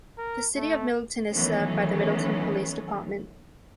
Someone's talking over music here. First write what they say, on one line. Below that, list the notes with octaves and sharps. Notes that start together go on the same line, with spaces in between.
The city of Middleton is served by the Middleton Police Department.
A#4
A3
D#3 E3 F#3 A3 B3 C#4